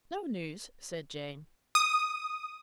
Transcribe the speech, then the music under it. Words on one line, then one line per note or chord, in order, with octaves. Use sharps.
"No news," said Jane.
D#6